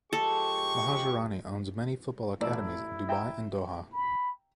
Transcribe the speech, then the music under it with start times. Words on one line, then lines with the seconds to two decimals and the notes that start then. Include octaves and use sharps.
Mohajerani owns many football academies in Dubai and Doha.
0.13 F3 G#3 G4 A4 C#6
2.41 A1 E4 D5 E6
3.09 E5 G5 A#5
3.93 B5